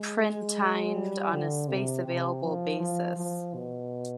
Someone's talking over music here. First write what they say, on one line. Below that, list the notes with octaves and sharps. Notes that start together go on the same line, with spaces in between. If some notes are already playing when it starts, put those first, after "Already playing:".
Printined on a space-available basis.
Already playing: G#3
G3
D3
C3
C3
F3
F3
F3
B2